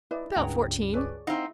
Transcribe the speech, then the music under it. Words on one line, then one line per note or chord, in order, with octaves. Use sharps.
"About fourteen."
E4 B4 D5 D#5
C#2 G2 E4 G#4 C#5 F#5 G5 A#5
G#4 B4 C#5 D5
C4 D#4 E4 D#5 F5 F#5